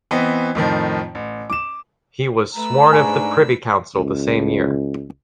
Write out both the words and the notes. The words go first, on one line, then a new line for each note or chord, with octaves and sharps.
He was sworn of the Privy Council the same year.
E3 B3 C4 D#5
F2 A2 D#3 F3
A1
D6 E7
A3 B4 A#5 E6
G#2 D4 G#5 C#6
C#2